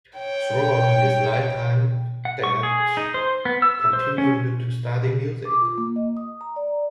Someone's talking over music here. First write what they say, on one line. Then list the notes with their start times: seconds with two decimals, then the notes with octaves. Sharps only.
Throughout his lifetime, Dett continued to study music.
0.18 C#5 G5
2.25 F#5
2.44 C#6
2.63 G#4
2.97 D#4
3.14 C5
3.45 B3
3.62 E6
3.93 C5
4.18 C#4
5.45 D6
5.62 F4
5.78 A#3
5.96 D#5
6.17 D#6
6.41 A#5
6.56 D5